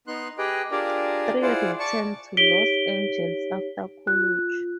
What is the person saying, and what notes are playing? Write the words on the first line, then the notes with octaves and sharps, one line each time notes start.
Tree returned to Los Angeles after college.
B3 D#4 C6 F#6
G4 G#4 B4 D#5 G5
D4 F4 G4 G#4 A#4 D5
E4 F4 G#4 C5 D5 F#5
D5 A5 C#6
D#4 G4 C#5 B6 D7 G7
F4 F#6